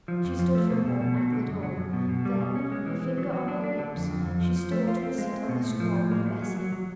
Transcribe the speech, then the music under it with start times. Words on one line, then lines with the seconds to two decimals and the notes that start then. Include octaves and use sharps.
She stood for a moment at the door--then, her finger on her lips, she stole to a seat on the squab near Bessy.
0.08 F3
0.24 F2
0.39 F3
0.55 A3
0.70 B2
0.85 B2
1.01 B2
1.17 F#3
1.32 D3
1.48 F#2
1.63 F#3
1.78 F#2
1.93 B2
2.09 B2
2.25 G3
2.40 B2
2.56 C#4
2.72 G#3
2.86 E3
3.02 E3
3.18 F#3
3.33 F#3
3.48 D4
3.64 D4
3.79 D3
3.95 F2
4.10 F2
4.25 F2
4.41 F3
4.56 F3
4.72 A3
4.88 F4
5.02 C4
5.18 G#3
5.33 C4
5.49 B2
5.64 A2
5.80 F3
5.95 A2
6.11 A#3
6.26 F#3
6.42 F#3
6.56 F#3
6.72 F#3